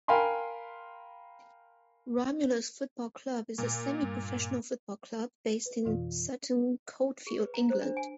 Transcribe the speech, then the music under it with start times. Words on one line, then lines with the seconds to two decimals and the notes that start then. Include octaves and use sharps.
Romulus Football Club is a semi professional football club based in Sutton Coldfield, England.
0.08 A#4 F5 G5 G#5 B5 C6
3.58 A#2
4.03 G2
5.66 B4
5.85 F2 B2 E3 F4 F5
7.27 G#4
7.40 B4
7.54 A#5
7.70 C5
7.82 D4
7.97 G#5